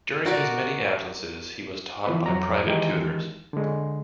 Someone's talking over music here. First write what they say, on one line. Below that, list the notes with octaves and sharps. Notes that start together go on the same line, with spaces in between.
During his many absences he was taught by private tutors.
D#4 F#4 A#4 D5
E3 F3 B3 B4
F2 F#3 A#5
D#3 E3 G#3 D#4 G4 A#4
D3 G#3